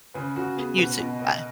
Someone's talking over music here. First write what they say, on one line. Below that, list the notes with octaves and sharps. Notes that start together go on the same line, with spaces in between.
You too. Bye.
C#3 B4
C#3 F#4
B3 G#4
B2 B4
B2 D#5
B3 D#5